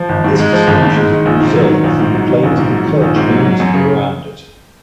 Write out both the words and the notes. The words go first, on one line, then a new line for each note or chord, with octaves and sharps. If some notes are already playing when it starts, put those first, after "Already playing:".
This distinguishes the reserve from the plains of the Kerch Peninsula around it.
Already playing: F3
G#1
G#2
G#3
F3
G#1
G#2
G#3
D#3
A#1
G#2
F#3
D#3
A#1
G#2
F#3
D#3
A#1
G#2
F#3
D#3
A#1
G#2
F#3
F#3
F#2
C#3